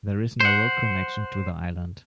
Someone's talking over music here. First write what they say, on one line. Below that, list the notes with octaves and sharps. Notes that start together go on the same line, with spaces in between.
There is no road connection to the island.
C5 F#5